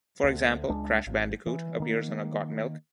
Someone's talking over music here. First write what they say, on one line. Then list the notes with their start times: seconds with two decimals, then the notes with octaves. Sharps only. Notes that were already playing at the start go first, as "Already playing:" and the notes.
For example, "Crash Bandicoot" appears on a Got Milk?
0.24 D2
0.69 C#2 G#3 D4
1.07 G#1
1.47 E3
1.80 D#3 A#3